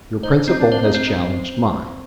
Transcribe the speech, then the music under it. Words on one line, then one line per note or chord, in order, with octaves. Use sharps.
Your principal has challenged mine.
D#4 C5
C4 D#4
D4
D4 C5
D#4
C4
D#4